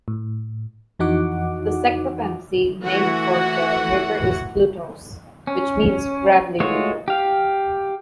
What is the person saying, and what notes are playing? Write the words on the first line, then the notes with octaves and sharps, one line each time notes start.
The Secwepemc name for the river is Kluhtows, which means "gravelly river".
A2
F2 E3 D#4 F#4 F#5 D6
E3 A3 F#4 F#5
C#4
G#3 A3 F4 F#4 C#5
G4 F5